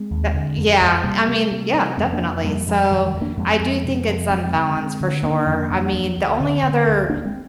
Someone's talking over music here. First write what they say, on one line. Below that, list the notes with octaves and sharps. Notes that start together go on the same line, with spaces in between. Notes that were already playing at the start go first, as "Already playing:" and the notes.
That yeah. I mean, yeah, definitely, so, I do think it's unbalanced, for sure. I mean, the only other
Already playing: G#3 C4
D#2
D3
F2
F2
C3 G3 A#3
C3
C3
C3
F2 G#3 C4
A#3 D4
F2
F2 G3 A#3
F2 F3 G#3
F2 D#3 G3
D#3 G3
F2
A#3 D4
F2 G#3 C4
F2
C3
F2
F2 G#3 C4
D3
D3
D3
D3 A#3 D4
F2
F2
F2
D2
D3
D3
D2
D2 A#3 D4
G#3 C4